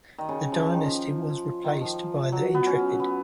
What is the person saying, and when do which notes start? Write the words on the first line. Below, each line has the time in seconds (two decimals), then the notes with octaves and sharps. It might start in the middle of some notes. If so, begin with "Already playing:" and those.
The Dynasty was replaced by the Intrepid.
0.18 D#3
0.29 C#3
0.52 F3
0.63 F3
0.74 D#3
0.84 F3
1.64 D#3
1.81 F3
2.32 F#3
2.54 B3
2.66 C#4
3.00 B3